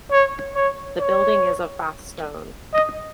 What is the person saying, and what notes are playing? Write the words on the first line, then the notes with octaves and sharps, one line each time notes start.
The building is of Bath Stone.
C#5
C#5
C#5
D#5